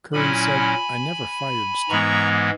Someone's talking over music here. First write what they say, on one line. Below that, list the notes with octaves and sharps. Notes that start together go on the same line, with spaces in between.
Curry said, I never fired Steve.
A#2 F#3 C#4 E4 G#5 B5
G#2 E3 G#3 B3 A#5 C#6